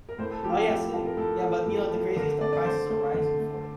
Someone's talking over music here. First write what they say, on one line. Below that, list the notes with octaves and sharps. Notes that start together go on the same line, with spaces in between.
Oh, yeah, same. Yeah, but, you know, the craziest, the prices are rising for it.
A#4
A2 C5
A4
F3 A3 F4 G4
G4
A2
F3 A3
A#4
A2 A4
F3 A3
A2
F3 A3
D3 A#4
A3 D5
D5
D3 C5
A3
D3
A3